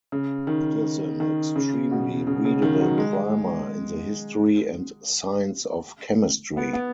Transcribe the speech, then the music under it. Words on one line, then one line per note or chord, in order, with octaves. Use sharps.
It is an extremely readable primer in the history and science of chemistry.
C#3
D#3
D#3
C#3
B2
C#3
C#3
D#3
F#3
G#3
B3
B3